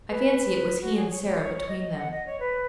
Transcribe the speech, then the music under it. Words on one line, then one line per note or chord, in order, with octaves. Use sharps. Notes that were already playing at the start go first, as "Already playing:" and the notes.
I fancy it was he and Sarah between them.
B4
F#4
G#4
C#5
C#5
C#5
C#5
D#5
F#5
D#5
C#5
B4